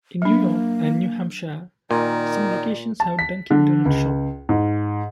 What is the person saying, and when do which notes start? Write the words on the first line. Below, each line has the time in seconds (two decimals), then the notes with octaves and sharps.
In New York and New Hampshire, some locations have a Dunkin Donuts shop.
0.22 F#3 A#3 D4
1.91 A#2 D#3 D5
3.00 A5
3.19 B6
3.51 D3
3.85 C#2
4.49 G#2